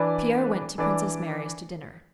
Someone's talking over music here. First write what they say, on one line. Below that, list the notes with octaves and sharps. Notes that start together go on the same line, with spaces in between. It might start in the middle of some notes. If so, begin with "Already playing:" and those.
Pierre went to Princess Mary's to dinner.
Already playing: E3 D4 B4 D5
E3 D4 B4 D5